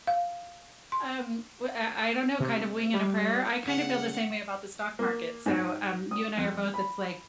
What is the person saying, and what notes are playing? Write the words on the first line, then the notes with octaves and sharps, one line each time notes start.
Um, w uh, I i don't know, kind of wing and a prayer, I kind of feel the same way about the stock market, so, um, you and I are both, it's like
F5
C6
C3
G3
C#3 F#5
A#3
G#2
D#6
F2
B5